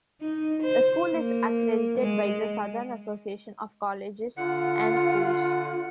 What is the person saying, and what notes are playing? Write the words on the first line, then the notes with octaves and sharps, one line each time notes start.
The school is accredited by the Southern Association of Colleges and Schools.
D#4
C5
A#3
G#3
D3 F4 F#5